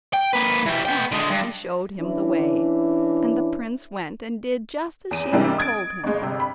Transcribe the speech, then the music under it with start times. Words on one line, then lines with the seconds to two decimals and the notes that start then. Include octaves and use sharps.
With that she showed him the way, and the prince went and did just as she had told him.
0.13 G5
0.33 A#3 B4
0.66 E3 G3
0.85 B3 G5
1.12 D3 G#3
1.31 G2
2.00 E3 C#4 D4 E4
5.11 E2 D#7
5.32 G#2 C3 E3 G3 A#3 D4
5.58 D#6 G#6 A6 D7
6.04 G1 G#3
6.22 G1 C3
6.40 B5